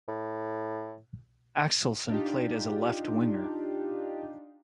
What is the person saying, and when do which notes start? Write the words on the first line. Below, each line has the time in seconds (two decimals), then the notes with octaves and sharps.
Axelsson played as a left winger.
0.08 A2
2.09 D4 D#4 F4 G4